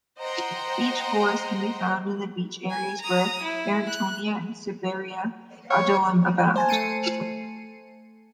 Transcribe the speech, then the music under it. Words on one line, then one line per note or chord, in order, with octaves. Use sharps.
Beach forest can be found in beach areas where Barringtonia and Cerbera odollam abound.
C5 D#5 F#5 G5 A#5 C6
G#5
A#5 D#6
E4
F#6
C#5
C5 G#5 A5
A3 C7 C#7 D#7